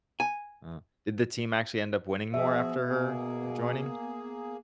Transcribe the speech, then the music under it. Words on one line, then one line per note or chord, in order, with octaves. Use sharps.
Uh, did the team actually end up winning more after her joining?
G#5
F3 B3 F#4 G#4 E5
B2 A#3 G#4